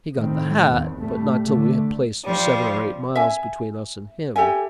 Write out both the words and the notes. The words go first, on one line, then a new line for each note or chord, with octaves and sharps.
He got the hat, but not till we had placed seven or eight miles between us and him.
A2 D#3 C4
E2
A2 G3 A3
D3 A3
F3 G3
E5 G#5
G4 A4 E5 G#5